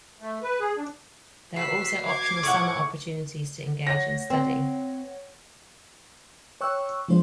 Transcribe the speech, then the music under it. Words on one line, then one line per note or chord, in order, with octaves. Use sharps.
There are also optional Summer opportunities to engage in study.
A3
B4
G#4
D4
F#4 B4 E6 B6 C7
D6 G#6
A2 F4 F#5 C#6
C#5 F#5 A#6
C4
C#5 G5 C#6 E6 F#6
F3 G#3 D4 C5